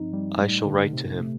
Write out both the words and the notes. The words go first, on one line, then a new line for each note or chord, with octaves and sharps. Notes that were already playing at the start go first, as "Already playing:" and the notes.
I shall write to him.
Already playing: G2 F3 C4 D#4
G3
A2 G3 A3 D#4
D3
C3
A#2 A3